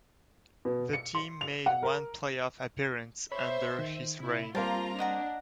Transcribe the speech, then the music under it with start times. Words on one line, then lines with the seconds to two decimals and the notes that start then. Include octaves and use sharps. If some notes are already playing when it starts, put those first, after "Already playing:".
The team made one playoff appearance under his reign.
0.65 B2
0.93 C#7
1.15 C6
1.41 F7
1.66 F#5
1.83 A#4
3.32 C5 C#5 E5 B5
3.79 D#3
4.20 C3 E4
4.55 G3 A#3 C4 F4 A#4 C5 A5 A#5
4.99 D4 D#5 F#5 A#5